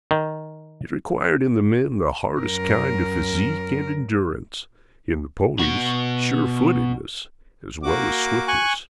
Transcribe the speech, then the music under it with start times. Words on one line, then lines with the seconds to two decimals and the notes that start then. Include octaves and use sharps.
It required in the men the hardest kind of physique and endurance, in the ponies surefootedness as well as swiftness.
0.11 D#3
2.38 F#2 A#4
5.59 B2 F#4
7.83 A#3 F#4 D6
8.48 G#5 C#6 F#6